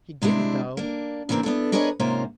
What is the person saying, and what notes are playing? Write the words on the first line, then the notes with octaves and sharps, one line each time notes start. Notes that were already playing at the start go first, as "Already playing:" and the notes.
"He didn't, though!"
C3 G#3 D4 E4
A#3 D4
C#3 E3 G3 A#3 C4 D4
B3 D4 E4 A4
D4 G#4 A#4 B4 C#5 D#5
G#2 C3 A#3 C#4 F4 C5